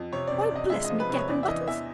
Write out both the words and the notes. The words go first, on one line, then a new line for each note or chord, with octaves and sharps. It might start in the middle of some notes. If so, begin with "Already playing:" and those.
Why, bless me cap and buttons!
Already playing: F2
C3 C#5
C3 D5
D5
C3 D#5
G#3 E5
D#5
F3
B4
C3 C#5
E2 D5
E5
E3 D#5
E2 E5